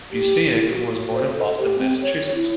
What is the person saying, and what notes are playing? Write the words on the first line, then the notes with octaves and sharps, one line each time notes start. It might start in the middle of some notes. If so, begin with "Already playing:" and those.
Busiek was born in Boston, Massachusetts.
G4
E4
F#4
C5
A4
G4
C4
C#5
E4